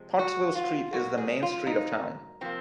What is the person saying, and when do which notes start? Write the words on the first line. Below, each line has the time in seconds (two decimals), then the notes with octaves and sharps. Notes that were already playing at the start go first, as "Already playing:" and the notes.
Pottsville Street is the main street of town.
Already playing: C3 F3 G#3
0.19 F#4
0.55 F4
0.93 G#2 F#3 A#3 F#4
1.18 G#4
1.42 F4
1.67 D#4
2.41 C3 F3 A#3 C4